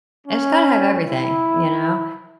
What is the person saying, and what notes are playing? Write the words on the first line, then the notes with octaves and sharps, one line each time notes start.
it's gotta have everything, you know,
C#4
E4